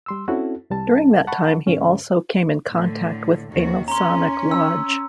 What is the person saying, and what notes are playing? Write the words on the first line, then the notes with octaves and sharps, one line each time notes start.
During that time he also came in contact with a Masonic lodge.
G3 C6 E6
C4 C#4 E4 F#4 A4
C2 G3 A5
F#5 A5 B5 C#6
G#2 D3 C#4
A2 D3 A3
D#2 D#3 F#4
C#4 A#5 C6
E6